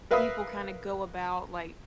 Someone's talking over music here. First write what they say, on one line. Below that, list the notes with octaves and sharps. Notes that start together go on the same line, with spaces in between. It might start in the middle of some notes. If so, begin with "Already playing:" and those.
people kinda go about, like,
A#4 B4 E5 F5 B5 D#6